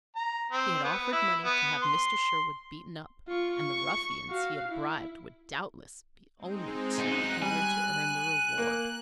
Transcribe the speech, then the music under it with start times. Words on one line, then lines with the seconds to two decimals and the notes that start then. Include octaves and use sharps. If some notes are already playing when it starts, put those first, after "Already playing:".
He had offered money to have Mr. Sherwood beaten up, and the ruffians he had bribed would doubtless be only too eager to earn the reward.
0.16 A#5
0.51 C4
0.84 B3
1.12 E4
1.45 B3
1.82 C6
3.28 F4 C#6
3.57 C#6
4.29 F#4 F5
4.68 E4
6.38 G#3 C4 D#4
6.98 F#2 D#4 F#6
7.42 G3 G#5
8.58 A#3